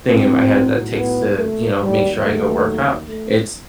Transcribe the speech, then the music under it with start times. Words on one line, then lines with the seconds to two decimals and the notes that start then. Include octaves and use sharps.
thing in my head that takes to, you know, make sure I go workout, it's
0.11 B1 A2 F#3 C4
0.96 B3
1.38 A3
1.80 D#2 D#3 F#3 G3
2.23 A3
3.07 A3